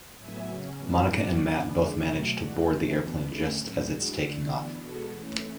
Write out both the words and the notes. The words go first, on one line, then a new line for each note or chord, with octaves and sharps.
Monica and Matt both manage to board the airplane just as it's taking off.
A2 F#3 B3 E5 G#5
C#3 F#3 C#4
A2 E3 B3 D4
A2 F#3 C#4 D5 F#5
E3 B3 D4
D3 G#3 D4 C#5 E5
B2 F#3 A3 C#5 E5
E3 G#3 D4 F#4
E3 A3 C#4
E3 B3 D4 F#4
D3 A3 C#4 G#4 B4
A2 F#3 C#4 F#4 A4
E3 G#3 D4 F#4
D3 A3 D4
E3 B3 D4 F#4
B2 G#3 B3 F#4 A4
E3 A3 C#4